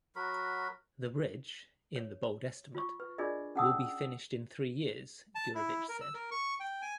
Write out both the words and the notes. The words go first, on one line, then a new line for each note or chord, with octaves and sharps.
"The bridge, in the bold estimate, will be finished in three years," Gurevich said.
F#3 F#4 A#4 B5
C#5
F4 C#6
B4
D4 F4 G#4 A#4 D5 D#5
C#4 G#4 F#5 A5 D#6 E6
A5
E4
A#4
E6
A#4
C#6
G5
G#5